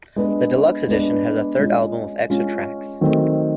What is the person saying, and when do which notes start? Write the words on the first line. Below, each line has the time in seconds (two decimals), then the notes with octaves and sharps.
The deluxe edition has a third album with extra tracks.
0.16 G#3 B3 D4
0.88 G#3 B3 D4
1.59 G#3 C#4 F4
2.30 G#3 C#4 F4
3.01 D#3 F#3 A3 C4